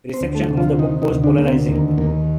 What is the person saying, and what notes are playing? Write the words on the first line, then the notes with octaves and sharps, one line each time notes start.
Reception of the book was "polarizing".
C4 C5
D2
A3 A4
C3
F3 F4
D#3 D#4
D#3 D#4
D2
D3 D4
D2 A#3
C3 C4
D#2 A#3
D#2 A#3